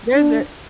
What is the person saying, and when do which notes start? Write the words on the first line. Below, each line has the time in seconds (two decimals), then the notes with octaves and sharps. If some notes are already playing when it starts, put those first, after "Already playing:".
They're the
0.15 D4